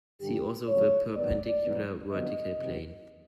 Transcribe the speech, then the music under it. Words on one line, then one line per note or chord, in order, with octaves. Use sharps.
See also the perpendicular vertical plane.
G2 D3 G3 G4
F2 C#3 F#3 A3 C#5
G#2 D#3 F#3 B3 D5
E2 B2 F#3 B3
F2 D3 F#3 B3 D#5
C3 D#3 F#3